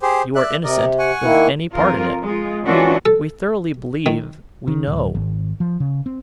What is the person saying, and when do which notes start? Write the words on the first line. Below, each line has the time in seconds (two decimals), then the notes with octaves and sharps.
'You are innocent of any part in it, we thoroughly believe,--we know.'
0.02 G4 G#4 C5
0.35 D5 E5 F#6
0.64 C3 A#4 D5 D#5
0.99 F#5 G#5 C#6
1.24 D#3 A#3 E4
1.73 F2 F3 F4 A#4
2.22 G#3 F4
2.64 D#3 E3 C#4 D4 F4 F#4
3.06 A4
4.06 D#3
4.68 D#3
4.87 D1
5.15 G#1
5.60 F3
5.80 C#3
6.06 C4